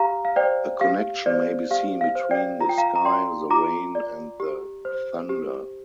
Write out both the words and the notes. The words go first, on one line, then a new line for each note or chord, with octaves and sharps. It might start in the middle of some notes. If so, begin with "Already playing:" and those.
A connection may be seen between the sky, the rain, and the thunder.
Already playing: G4 F5 A#5
F5
C5 D5 G5
G4 F5
C5 D5
G4 F5
F5
C5
D5 G5
F4 A#5
G5
F5 A#5
A#5
D5 G5 C6
F4 A#5 D6
D5
G4
C5
G4